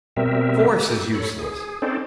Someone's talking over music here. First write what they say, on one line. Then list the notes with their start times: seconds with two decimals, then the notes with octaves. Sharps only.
Force is useless!
0.17 B2 G3 C4 A#4 E5
0.81 G4 A4
1.14 A4 C#5 B5
1.39 G#4
1.82 C4 C#4 D#4 A4 C5 D5